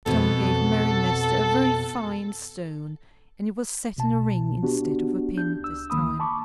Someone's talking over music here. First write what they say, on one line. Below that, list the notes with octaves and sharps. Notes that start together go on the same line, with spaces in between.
Tom gave Mary Nestor a very fine stone, and it was set in a ring, instead of a pin, this time.
F2 B2 B3 A4
C2 B2 A5
B3 D4 F#4 G4
D4 G6
C#2 E6
C#2 D#3 A#3 B5 D#6
A5 B5 C#6 D6